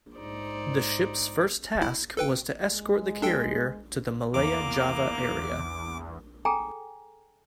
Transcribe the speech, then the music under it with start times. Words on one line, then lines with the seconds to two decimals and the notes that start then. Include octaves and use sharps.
The ships' first task was to escort the carrier to the Malaya-Java area.
0.17 G#2 D#4 C5 D5
1.82 E4
2.17 A4 B4 G5
2.72 G#3
3.22 D4 A4 G5
4.34 E2 A#3 D6
6.45 G#4 A4 G5 G#5 A#5